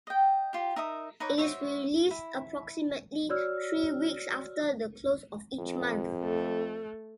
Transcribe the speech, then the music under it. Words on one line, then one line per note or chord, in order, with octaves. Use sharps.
It is released approximately three weeks after the close of each month.
D#5 G5
F4 G4
D#4 A#4 E5 D#6
D#4 B4 C#5 D6
F#4 C5 C#5 E5
E4
F#4 C#5 D5 E6 F6
F2
A3